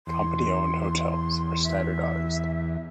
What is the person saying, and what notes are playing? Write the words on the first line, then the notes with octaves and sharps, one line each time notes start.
Company-owned hotels are standardized.
E2 C6
E5